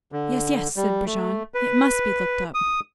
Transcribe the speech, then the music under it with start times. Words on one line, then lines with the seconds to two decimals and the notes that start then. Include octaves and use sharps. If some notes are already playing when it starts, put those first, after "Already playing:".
"Yes, yes," said Brujon, "it must be looked up."
0.12 D3
0.76 G3
1.06 A3
1.54 B4
2.54 D#6